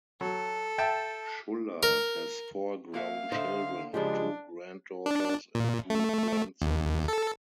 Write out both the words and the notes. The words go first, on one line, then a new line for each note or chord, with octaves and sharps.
Schuller has four grown children, two granddaughters and two grandsons.
F#3 A4
E5 G5 A5
A#4
A#3 F#4 E5 F5
D3 D#4 C5 E5
C#3 F3 G#3 D4 F4 G4
D4
A#2
A3
D#2
A4